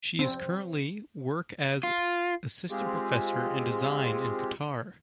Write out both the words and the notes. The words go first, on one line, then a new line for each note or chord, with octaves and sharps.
She is currently work as Assistant Professor in design in Qatar.
C4
F4
G#3 C4 F4 G4 G#4